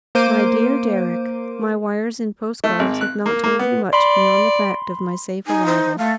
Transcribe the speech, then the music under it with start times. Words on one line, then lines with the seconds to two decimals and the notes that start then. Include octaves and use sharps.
My dear Deryck: My wires and post-cards have not told you much beyond the fact of my safe arrival.
0.15 A#3 C5 D6 D7 D#7
2.64 A3
2.79 G#1
3.01 F#6
3.26 A#3
3.44 A#3
3.59 B3
3.93 D5 B5 C6
5.47 D#4 G#5
5.66 C5
5.98 A3 F5